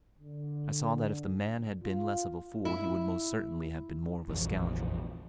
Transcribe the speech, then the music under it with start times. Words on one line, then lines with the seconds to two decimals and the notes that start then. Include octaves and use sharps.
I saw that if the man had been less of a fool he would most certainly have been more of a scoundrel.
0.19 D3
1.84 F4
2.65 E4
4.28 F1 A#1 F2 E3